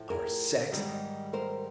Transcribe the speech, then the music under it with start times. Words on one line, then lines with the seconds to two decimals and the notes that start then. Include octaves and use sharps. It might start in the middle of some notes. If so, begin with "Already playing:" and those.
Our sex!
Already playing: A2 F3
0.10 G#4 A#4
0.72 G#2 D#3 G3
1.33 A#4 C5